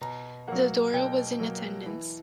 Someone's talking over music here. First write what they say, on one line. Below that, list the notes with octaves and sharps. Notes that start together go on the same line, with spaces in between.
Zadora was in attendance.
B2 A#5
F#3 A#3 F#5
B2 G5
F#3 A#3
E3